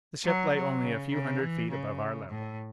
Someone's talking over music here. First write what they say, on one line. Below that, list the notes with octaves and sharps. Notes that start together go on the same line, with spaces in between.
The ship lay only a few hundred feet above our level.
F#3
F#3
C#3
C#3
E3
C#3
A2